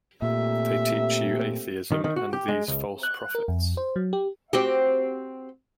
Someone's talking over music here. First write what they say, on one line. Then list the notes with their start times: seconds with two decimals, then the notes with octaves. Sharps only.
They teach you atheism and these false prophets.
0.22 A#2 A3 C4 G4 E5
1.92 D#3
2.04 D#3
2.16 F#4
2.33 G4
2.48 G#3
2.68 C#2
3.03 F#6
3.35 A#4
3.48 F2
3.77 C5
3.96 F#3
4.13 G4
4.53 C4 F#4 G4